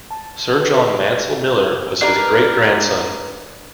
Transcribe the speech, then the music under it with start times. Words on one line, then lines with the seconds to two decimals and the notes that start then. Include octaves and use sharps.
Sir John Mansel Miller was his great-grandson.
0.11 A5
0.60 F#4 G4 A4 B4
2.01 D4 G4 A#4 B4